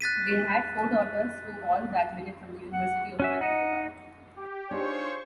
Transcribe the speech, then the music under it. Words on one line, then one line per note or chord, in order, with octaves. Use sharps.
They had four daughters who all graduated from the University of Manitoba.
F#6 A6 B6 D#7
F#5
C#4 F#4 E5 G#5
D#4 D#5 F#5
G4
D4 D#4 F4 G4 G#4 C5 C#5 C#6